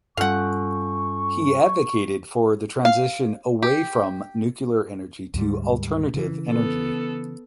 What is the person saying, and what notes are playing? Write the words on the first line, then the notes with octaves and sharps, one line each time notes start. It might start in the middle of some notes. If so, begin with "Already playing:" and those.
He advocated for the transition away from nuclear energy to alternative energy.
G2 G3 C#4 F4 A4 F5 F#5 C#6
F5
G4
D2 G#2 G3
C#3 E3
B3 A4